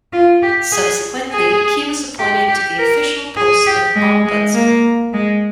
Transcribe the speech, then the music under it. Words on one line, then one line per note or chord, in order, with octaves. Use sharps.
Subsequently, he was appointed to the official post of Ombudsman.
F4
G4
G#4
G#4
G4
G4
A#4
G#4
G4
G#3
G#3
A#3
G#3